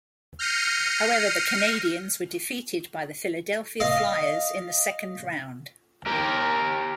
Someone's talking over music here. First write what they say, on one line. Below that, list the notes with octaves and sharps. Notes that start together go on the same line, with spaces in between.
However, the Canadiens were defeated by the Philadelphia Flyers in the second round.
F6 G6 A#6 C7 C#7 D#7
D#5 F5
G4 A#4